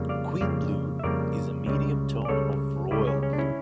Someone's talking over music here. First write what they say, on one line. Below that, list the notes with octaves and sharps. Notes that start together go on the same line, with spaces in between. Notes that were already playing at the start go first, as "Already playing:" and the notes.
Queen blue is a medium tone of royal blue.
Already playing: F2 C#3 G3 A#3
D5 F5
F2 C#3 G3 A#3 D5 F5
E5
F2 C#3 G3 A#3 A#4 D5
C#2 C#3 G3
D5
C#2 C#3 G3 A4 C#5
C#2 C#3 G3 E4 G4
C#4
C#4
D4
C#4 E4